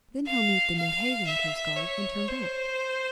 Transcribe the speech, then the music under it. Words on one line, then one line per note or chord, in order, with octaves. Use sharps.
'Then he'll meet the Newhaven coastguard and turn back.
F5
F5
E5
C#5
C5